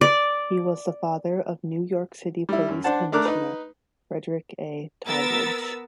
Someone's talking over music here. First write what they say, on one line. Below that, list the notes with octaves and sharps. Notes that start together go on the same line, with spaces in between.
He was the father of New York City Police Commissioner Frederick A. Tallmadge.
D5
G3 E4
F#2
D4 C5 F#5 A5
A3 D4 A#4 D6 F#6
D#4 B4
B3 A#4 E6 A6